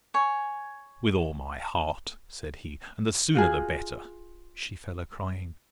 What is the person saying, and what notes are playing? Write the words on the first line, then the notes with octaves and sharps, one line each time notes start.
With all my heart, said he; and the sooner the better. She fell a crying.
C#5 G#5
F4 F#4 G#4